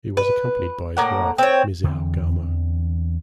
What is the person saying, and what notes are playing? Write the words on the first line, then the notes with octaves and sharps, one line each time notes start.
He was accompanied by his wife, Misao Gamo.
B4
A2 A#3 F#5
C4 C#5
E2 D3 E3 C4